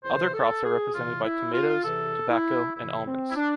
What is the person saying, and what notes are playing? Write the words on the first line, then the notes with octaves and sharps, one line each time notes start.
Other crops are represented by tomatoes, tobacco, and almonds.
E2 C3 E3 C5
A4
G#4
E2 C3 E3 F4
E4
F4
E2 C3 E3 A4
E4
E2 C3 E3 E4
C4
E4
D4